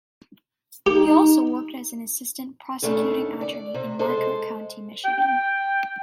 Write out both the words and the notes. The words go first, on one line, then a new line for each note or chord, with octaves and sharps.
He also worked as an assistant prosecuting attorney in Marquette County, Michigan.
D#4 G4
D#2 C#3 A3 D4
D5
C3
G#3 A4 C5
G5